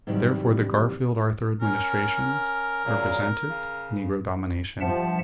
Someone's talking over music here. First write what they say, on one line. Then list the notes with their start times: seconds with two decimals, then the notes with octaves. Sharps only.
Therefore, the Garfield-Arthur administration represented "Negro Domination."
0.07 G#2 C3 D#3 E3 F#3 G3
1.61 C#4 A#4
2.84 A#2 C#3 F#3
3.49 C#3
4.81 G2 F3 E5 F#5 A5